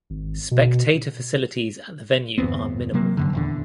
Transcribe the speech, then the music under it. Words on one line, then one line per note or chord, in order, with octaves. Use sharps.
Spectator facilities at the venue are minimal.
G#1
B2
G1 E2 B3 C4
C3 F#3 A#3
G1 F#2 D3
D#1 E2 D3